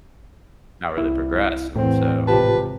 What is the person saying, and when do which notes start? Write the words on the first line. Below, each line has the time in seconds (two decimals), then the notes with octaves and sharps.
not really progress, and so,
0.98 C2 E4
1.76 E2 A2 C4
2.27 G#1 C3 F4 G4 B4 A5